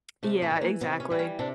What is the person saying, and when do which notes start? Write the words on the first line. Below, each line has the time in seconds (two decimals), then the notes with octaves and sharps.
Yeah, exactly,
0.23 C3 A3
0.42 A3
0.51 E3 G3
0.61 A#3
0.81 C3 B3
1.00 C#4
1.10 E3 G3
1.19 C#4
1.39 C3 D4